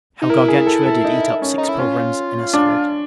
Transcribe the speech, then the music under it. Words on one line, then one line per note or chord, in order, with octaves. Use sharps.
How Gargantua did eat up six pilgrims in a salad.
D#4
E4 A#4
G#4
A4
A4
D#4
C#4
D#4
E4
C#4 F4
D4